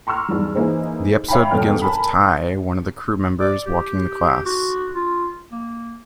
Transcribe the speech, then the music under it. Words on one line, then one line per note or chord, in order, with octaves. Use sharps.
The episode begins with Ty, one of the crew members, walking to class.
A#5 C6 C#6 E6 F6
E2 G2 D#3 F#3
E3 A#3 D#4 G#4 C5
C#5 E5 F5 G5 A#5 B5
G1 F2 B2 B3 G5 F6
A#4 G#5 A5 B5
D5
G4
F#4
F4
A#3